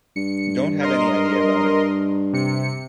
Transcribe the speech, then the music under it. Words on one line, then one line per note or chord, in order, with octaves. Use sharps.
Don't have any idea about it.
G2 C#7
A#4 D#5 C6
C3 C#7